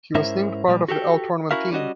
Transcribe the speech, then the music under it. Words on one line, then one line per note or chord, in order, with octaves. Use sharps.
He was named part of the All-tournament team.
G#2 C#4 E4 A#4 C5 E5
A#2 G3
F#4 G4 A4 G5
C#4 E4 F#4 A#4 E5 F5
G3 C#4 F#4 D#5